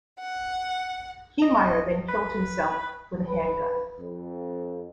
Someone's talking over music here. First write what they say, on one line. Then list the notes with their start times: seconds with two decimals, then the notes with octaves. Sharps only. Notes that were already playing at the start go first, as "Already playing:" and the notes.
Heemeyer then killed himself with a handgun.
0.18 F#5
1.42 D#5
2.08 B4
3.28 B4
3.99 F2